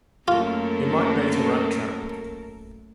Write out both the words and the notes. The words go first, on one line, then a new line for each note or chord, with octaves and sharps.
It might bait a rat-trap.
F#2 A3 A#3 F4 A4 A#4